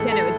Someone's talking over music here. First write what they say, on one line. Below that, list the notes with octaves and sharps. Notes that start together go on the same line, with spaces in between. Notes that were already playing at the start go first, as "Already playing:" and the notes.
yeah, no, it
Already playing: A2 E3 G#3 A4
A4